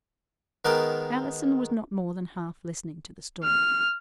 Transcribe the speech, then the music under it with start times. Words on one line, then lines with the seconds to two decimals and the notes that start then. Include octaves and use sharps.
Allison was not more than half listening to the story.
0.65 D#3 G#3 B3 A#4 G5 D6
3.44 F6